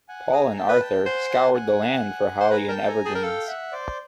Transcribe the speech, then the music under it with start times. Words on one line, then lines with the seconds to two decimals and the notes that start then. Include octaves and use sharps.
Paul and Arthur scoured the land for holly and evergreens.
0.09 F#5 G#5
0.32 G#4 G#5 A#5
0.56 G5 A5
0.69 B4
0.81 G5 A5
1.05 C5 F#5 G#5
1.30 F#5 G#5
1.54 F#5 G#5
2.41 C5
2.51 B4 G#5 A#5
2.69 A#4 G5 A5
2.88 A4 G#5 A#5
3.05 G#4 G5 A5
3.15 A#4
3.24 A4 F5 G5
3.48 E5 F#5
3.72 C5 D5